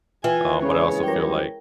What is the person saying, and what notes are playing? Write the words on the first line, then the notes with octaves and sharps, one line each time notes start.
Um, but I also feel like
E3 F4 E5 G5 G#5
A#1 C#3 G#3 C#4 C#5
F#2 G3 G4 A#4 G5